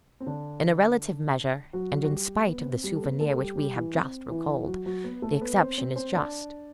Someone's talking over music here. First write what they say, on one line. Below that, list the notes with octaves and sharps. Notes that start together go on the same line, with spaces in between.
In a relative measure, and in spite of the souvenir which we have just recalled, the exception is just.
C4
D3 D4
F#3 F#4
F#4
G3 G4
B3
B3
C4
G3 G4
A4
B3 B4
A3 A4
A4
G3 G4
G3 G4
E3 E4
C4
E3 E4
F#3 F#4
F#3 F#4
B3 B4
A3 A4
A4
B3 B4
C4 C5
C4 C5
C4 C5
D4 D5